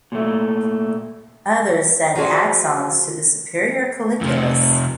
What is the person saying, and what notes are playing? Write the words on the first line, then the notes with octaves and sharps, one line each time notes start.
Others send axons to the superior colliculus.
A#2 A3
F3 F4 F#4 G#4 D5
F2 C3